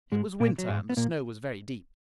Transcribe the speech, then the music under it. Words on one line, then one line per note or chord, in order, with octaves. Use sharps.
It was winter and the snow was very deep.
G#2 G#3
A#2 A#3
F#3
G#2 G#3
B3
A#2 A#3